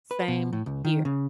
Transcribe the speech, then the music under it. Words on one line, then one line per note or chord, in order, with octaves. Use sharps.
Same h here.
B4
B2
A2
C#2
D#3
C#3